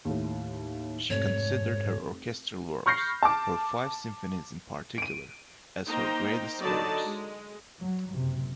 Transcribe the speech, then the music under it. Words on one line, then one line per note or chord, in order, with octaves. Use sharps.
She considered her orchestral works, her five symphonies in particular, as her greatest works.
D#2 A2
F1 G#2 C#5
B5 C#6 F6 G6 A#6 C7
A5 D6
D7 D#7
A#3 D#4 C5 G5 A#5
D3 F#3 D#4 D5 A5
G#3
F#3
F#1 C3